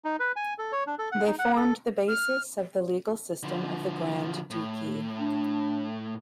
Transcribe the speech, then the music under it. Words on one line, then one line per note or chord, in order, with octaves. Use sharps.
They formed the basis of the legal system of the Grand Duchy.
D#4
B4
G#5
A4
C#5
D4
A4
F#5
D#4
F#5
A4
F6
D3 F3
A2
D4